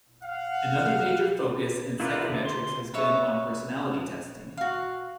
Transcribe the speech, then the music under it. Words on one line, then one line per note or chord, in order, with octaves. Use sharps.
Another major focus in psychometrics has been on personality testing.
F5 F#5
E4 F4 A#4 B4 D5
D3
C6
B4 C#5 E5 C#6
F#4 F5